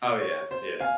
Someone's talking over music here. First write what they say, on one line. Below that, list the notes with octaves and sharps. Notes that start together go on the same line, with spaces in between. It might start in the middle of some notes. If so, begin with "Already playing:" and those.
Oh, yeah. Yeah.
C#5
C5
F5 G#5